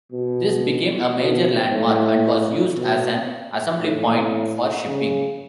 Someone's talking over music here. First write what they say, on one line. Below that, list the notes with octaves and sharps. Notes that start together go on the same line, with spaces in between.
This became a major landmark, and was used as an assembly point for shipping.
B2
B2
A2
B2
A2
C#3